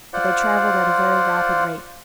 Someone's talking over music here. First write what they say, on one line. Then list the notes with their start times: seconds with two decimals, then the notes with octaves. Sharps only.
But they travelled at a very rapid rate.
0.13 F4 C5 D5 F#5